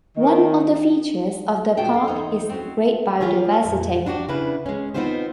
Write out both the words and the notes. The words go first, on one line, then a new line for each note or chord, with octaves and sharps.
One of the features of the park is great biodiversity.
D#3
B2 F4 F#4 G#4 G5 A5
A4 F5
E2 D#4 C5
C4 C#4 F#4
F4 G4 G#4 C#5
F2 A#2
D4 E4 F#4 G4
C#3 D4 E4 B4
G#3 C#4
B3 C4 D#4 F4 G4 C5